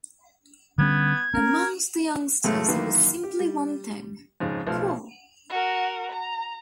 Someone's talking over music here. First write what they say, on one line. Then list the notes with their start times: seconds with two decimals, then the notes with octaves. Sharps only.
Amongst the youngsters he was simply one thing: cool.
0.78 D3 G3 B3 C#4 G#6
1.34 C4 C#4 A#4
2.44 F#2 A2 C#3 E3 G#3 A3
2.68 F#2 D#3 E3 A#3 B4
3.23 G4
3.40 G3
4.40 F2 G#2 C#3
4.67 B1 F3 A3 F6
5.49 F#4 A#4
6.12 A#5